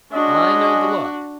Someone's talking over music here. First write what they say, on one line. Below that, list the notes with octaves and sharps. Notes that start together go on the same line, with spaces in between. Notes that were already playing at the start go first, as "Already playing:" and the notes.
"I know the look."
G#3 C#4 D4 F#4 D#5